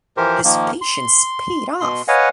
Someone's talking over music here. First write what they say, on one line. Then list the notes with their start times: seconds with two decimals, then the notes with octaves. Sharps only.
His patience paid off.
0.17 E3 F3 G4 A#4 C5
0.44 D#3 F3 A#3
0.81 C6
1.80 B2 C6
2.08 B4 C#5 D#5 F5 F#5 G#5